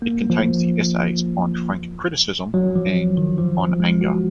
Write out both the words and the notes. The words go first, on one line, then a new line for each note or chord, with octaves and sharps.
It contains the essays "On Frank Criticism" and "On Anger".
A#3
F3
F#3
F3
D#3
F3
F#3
G#3
F#4